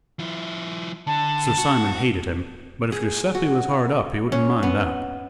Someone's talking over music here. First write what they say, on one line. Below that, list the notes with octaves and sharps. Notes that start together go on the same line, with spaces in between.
Sir Simon hated him, but if Guiseppe was hard up he wouldn't mind that.
F3 E4
D3 A5
F#4
G#4
F#4
C#4
B3